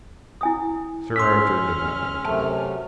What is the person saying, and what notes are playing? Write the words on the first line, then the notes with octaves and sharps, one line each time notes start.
Sir Arthur did not like it.
E4 G#5 D#6
C#4 C6 E6 F6 B6
F#2 C3 A3 A5